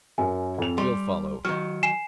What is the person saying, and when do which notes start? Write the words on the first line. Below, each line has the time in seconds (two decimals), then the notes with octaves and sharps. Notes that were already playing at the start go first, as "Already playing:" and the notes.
We'll follow.
0.18 F#2 A#4 G#5
0.58 F2 F7
0.78 G3 C6
1.45 D#3 F#3 F6
1.83 G#5 C7 E7